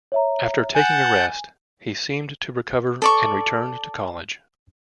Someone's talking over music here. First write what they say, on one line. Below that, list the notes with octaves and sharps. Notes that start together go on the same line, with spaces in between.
After taking a rest, he seemed to recover and returned to college.
C#5 E5 A#5
F#5 G#5 A5 G6
A4 D5 C#6